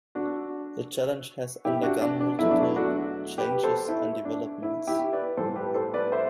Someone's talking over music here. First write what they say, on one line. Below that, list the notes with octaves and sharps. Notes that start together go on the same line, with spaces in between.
The challenge has undergone multiple changes and developments.
D4 F#4
E4 G4
D4 F#4
D4
D4
E2 B2 F#3 A3 E4
D4
E4
D4 F#4
G4 B4
A4 C5
E4
D4
E4
E4 G4
B4 D5
A2 E3 G3 A4 C5
G4 B4
A4 C5
B4 D5
C5 E5